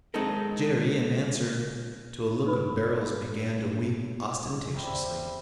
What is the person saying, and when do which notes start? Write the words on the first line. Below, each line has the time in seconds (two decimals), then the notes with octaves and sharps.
Jerry in answer to a look of Beryl's began to weep ostentatiously.
0.14 G#3 C4 D#4 A4 A#4
2.45 D#4 A#4 B4 B5
4.74 C3 G3 E5